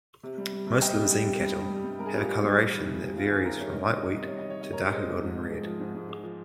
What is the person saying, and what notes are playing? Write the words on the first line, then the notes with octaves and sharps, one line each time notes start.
Most Limousin cattle have a coloration that varies from light wheat to darker golden-red.
C3
G3
G3
C3
C3 D#5 G5
G3
G3
C3
G2
G3
G3
G2
G2 A#4
G#4
G3 G4
F4 G#4
G3
G2
G3
D#3
C3
C3
G3 F4
D#3 G#4 C5
C3 G4 A#4
C3 C#5
G3 D#5
C#5
D#3 D#5
C3 C#5
C3 D#5
C#5
G3
D#5
D#3 C#5
C3 D#5
C3 A#4 C#5
G#3 C5 D#5
F3
G#2
G#2
G#3
F3
G#2
G#2
G#3
F3